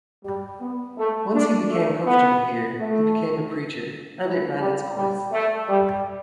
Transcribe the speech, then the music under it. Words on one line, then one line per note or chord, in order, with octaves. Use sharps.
Once he became comfortable here, he became a preacher, and it ran its course.
G3
B3
A3
D4
A3
B3
A3
E3
G3
G3
A3
G3